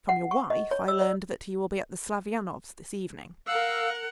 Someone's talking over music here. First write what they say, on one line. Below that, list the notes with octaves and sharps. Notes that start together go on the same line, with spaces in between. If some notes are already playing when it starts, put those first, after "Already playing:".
From your wife I learned that you will be at the Slavyanovs' this evening.
F#5
C#6
D#5
C#5
E6
D5
A#4 F5 F#5 E6